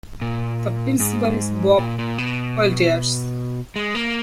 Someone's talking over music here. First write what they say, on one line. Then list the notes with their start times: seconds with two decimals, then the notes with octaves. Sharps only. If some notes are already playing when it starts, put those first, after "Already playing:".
The principal is Bob Walters.
0.21 A#2
1.00 G#2
1.79 A#2
1.98 A#2
2.18 B2
3.76 G#3
3.95 A#3